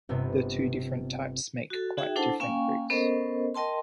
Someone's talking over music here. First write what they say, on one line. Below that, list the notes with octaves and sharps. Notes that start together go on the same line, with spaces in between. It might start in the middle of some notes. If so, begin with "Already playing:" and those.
The two different types make quite different bricks.
G1 C3 B3
F#4 A4
D#4 F#4 G#4 E5 G5
D4 E4 A4 C5 F#5 A5
A#3 C#4 F5 G5 G#5 C#6
B3 C#4 A4 A#4 C5 D#5
A#4 D#5 G5 A5 C6